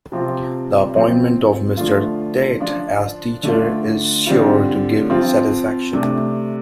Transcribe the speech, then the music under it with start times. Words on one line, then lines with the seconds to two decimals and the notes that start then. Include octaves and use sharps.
The appointment of Mr. Tait as teacher is sure to give satisfaction.
0.12 C3 F3 C4 F4
0.95 F3 C4 F4
1.77 D3 F3 A3 F4
2.60 F3 D4 F4
3.43 D3 A3 D4 F4
4.26 D3 G3 C4 F4
5.10 F3 C4 F4
5.93 C3 A3 D4